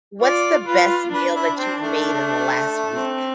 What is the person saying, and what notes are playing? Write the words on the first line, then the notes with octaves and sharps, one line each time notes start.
What's the best meal that you've made in the last week
F4 D5
F4 B4
D4 B4
E4
C4
A3
C4